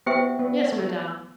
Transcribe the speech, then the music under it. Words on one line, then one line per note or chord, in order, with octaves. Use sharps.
"Yes, madame."
B3 G4 C5 E5 G5
B3
A3